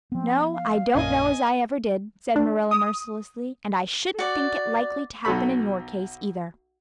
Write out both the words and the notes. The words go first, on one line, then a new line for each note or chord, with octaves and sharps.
"No, I don't know as I ever did," said Marilla mercilessly, "and I shouldn't think it likely to happen in your case either."
F3 B3 C4
F5
A#1 F#2 A#2 C#4 D4 A#4 D#5 G#5
D4
D#6
F#4 D5
B1 F#3 A4 B5